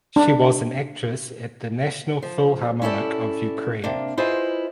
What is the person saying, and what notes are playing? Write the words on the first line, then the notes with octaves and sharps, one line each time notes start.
She was an actress at the National Philharmonic of Ukraine.
D4
F3
C#4 E4 G4 A4 D5
C3 A#3 D4
E4 F4 G#4 B4 C5 D#5